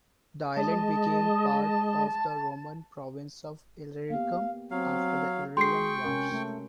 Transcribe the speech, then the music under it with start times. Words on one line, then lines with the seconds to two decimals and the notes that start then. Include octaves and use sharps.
The island became part of the Roman province of Illyricum after the Illyrian Wars.
0.57 G#3 D#5 A5
4.10 A#3 B3 G4 F5
4.71 F#3 C4 F5
5.57 G#3 F#4 G#4 G5 C6 C#6 C7
6.05 C3 C#4 A#4
6.32 A3 C#4